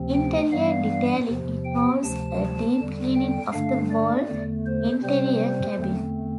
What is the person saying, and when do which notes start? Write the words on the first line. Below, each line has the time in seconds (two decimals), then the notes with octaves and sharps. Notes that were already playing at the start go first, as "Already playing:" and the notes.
Interior detailing involves a deep cleaning of the whole interior cabin.
Already playing: D2 C3 F3 C4
0.14 G5
0.52 G2 E3 G3 B3 F5
1.28 E2 C3 F3
1.65 G5
2.02 D2 C3 F3 A5
2.78 E2 D3 G3
3.15 G5
3.52 G2 D3 A3 D4 F5
3.90 D5
4.28 E2 D3 A3
4.66 C5
5.03 C3 G3 C4 C5
5.78 E2 D3 A3 C4